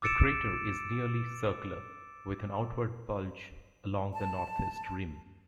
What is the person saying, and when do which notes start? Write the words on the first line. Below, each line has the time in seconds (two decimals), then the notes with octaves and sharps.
The crater is nearly circular, with an outward bulge along the northeast rim.
0.02 D6 E6 A6 C#7 D7 E7
4.12 A5